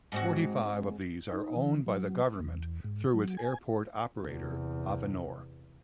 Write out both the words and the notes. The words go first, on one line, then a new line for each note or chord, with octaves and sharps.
Forty-five of these are owned by the government through its airport operator, Avinor.
G#2 C4 F#4
D#4
E3
F#3
E2
G#2
F#3
G#5
E2 C3